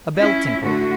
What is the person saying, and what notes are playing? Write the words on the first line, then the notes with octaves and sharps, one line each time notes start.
A bell tinkled.
C#4 E4
A2 D3 A3 F#4